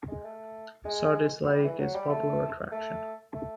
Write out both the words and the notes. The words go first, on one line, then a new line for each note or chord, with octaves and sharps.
Sardis Lake is a popular attraction.
G#3
A3
G#3
F#3
G3
E3
F#3
G3
A3
A3
A3